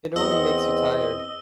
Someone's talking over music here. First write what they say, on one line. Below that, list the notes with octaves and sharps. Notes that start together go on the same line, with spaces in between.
It only makes you tired.
E2 C4 D#5 E6 G7